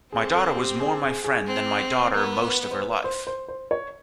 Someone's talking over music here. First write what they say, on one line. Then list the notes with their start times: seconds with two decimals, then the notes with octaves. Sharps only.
My daughter was more my friend than my daughter most of her life.
0.12 C4 G#4
0.35 A4
0.57 G4
0.80 G#4
1.02 G#4
1.24 G#4
1.47 C4
2.14 B3 A#4
2.37 A#4
2.48 B4
2.71 C5
2.81 B4
3.04 C5
3.27 C5
3.48 C5
3.71 C#5